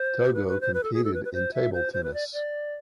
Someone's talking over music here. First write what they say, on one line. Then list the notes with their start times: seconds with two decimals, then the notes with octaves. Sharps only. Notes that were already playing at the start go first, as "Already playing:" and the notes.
Togo competed in table tennis.
Already playing: C5
0.34 B4
0.48 B4
0.61 C5
0.74 B4
0.83 A4
0.93 G#4
1.04 A4
1.14 B4
1.25 B4
1.33 C5
1.54 E5
1.73 C5
1.93 C5
2.03 B4
2.14 D5
2.33 D5